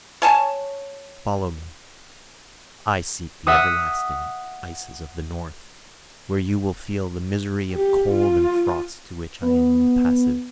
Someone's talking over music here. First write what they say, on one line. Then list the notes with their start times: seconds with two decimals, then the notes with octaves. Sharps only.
Follow me; I seek the everlasting ices of the north, where you will feel the misery of cold and frost, to which I am impassive.
0.22 C#5 G#5 A5
3.47 E5 F#5 D#6
7.72 G4
8.11 F4
9.42 B3